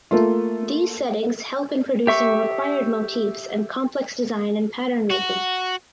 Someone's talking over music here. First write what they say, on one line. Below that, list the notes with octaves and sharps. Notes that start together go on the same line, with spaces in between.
These settings help in producing required motifs and complex design and pattern making.
A3 A#3 F4
G4 E5 C#6
F#4